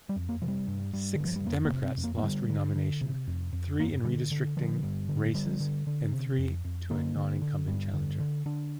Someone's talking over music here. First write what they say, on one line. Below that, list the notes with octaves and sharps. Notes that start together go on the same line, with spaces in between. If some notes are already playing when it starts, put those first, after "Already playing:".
Six Democrats lost renomination: three in redistricting races and three to a non-incumbent challenger.
G3
F2
A#3
C3 F3
G3
G2
G2
G2 D3
F3
G3
F2 A#3
A#3
C3
C4
F2
A#3
A#3
D3 G3
D3
D3
C3
F2
F2
G2 A#3
D3 G3
D3
D3 F3
G2
D3
D3 G3
D3
D3
C3
F2
F2
D3 A#3
D3
D3
G2
D3
D3
D3 D4